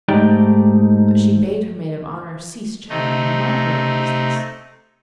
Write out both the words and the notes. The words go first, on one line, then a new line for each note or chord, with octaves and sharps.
But she bade her maid of honour cease chattering and mind her own business.
G#2 A3 D#4 G4 D5 G5
C3 A3 D#4